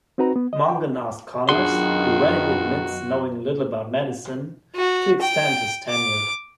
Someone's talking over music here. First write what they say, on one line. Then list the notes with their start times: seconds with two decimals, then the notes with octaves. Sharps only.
Mongan asked "Connors, who readily admits knowing little about medicine" to extend his tenure.
0.18 C4 D#4 F#4 B4 A#5
0.36 B3
0.53 D#5
0.68 G5
1.49 F#2 B2 D#3 D4 F4 F#4 G#4 C6
4.76 F#4
5.21 G5
5.89 D6